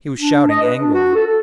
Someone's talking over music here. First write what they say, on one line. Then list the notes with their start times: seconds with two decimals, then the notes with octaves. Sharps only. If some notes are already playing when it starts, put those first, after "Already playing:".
He was shouting angrily.
0.19 D4
0.50 D#5
0.62 B4
0.80 D4
0.94 F#4
1.15 A4
1.26 A4